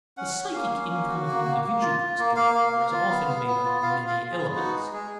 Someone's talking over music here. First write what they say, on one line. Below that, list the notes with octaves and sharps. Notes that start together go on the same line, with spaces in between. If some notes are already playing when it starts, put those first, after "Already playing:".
The psychic income of individuals, therefore, is often made up of many elements.
C#4 F#5
C#4
A#3 F5
C#4
A#3
F#4
A#3
A#3
A#3
F4
F4
A#3
A#3 F5
A#3
A#3
F4
B3
B3
B3
F4
F4 F5
F4
F5
F4
G#4
B3
D#4 F#4
G#3
G#3 G#4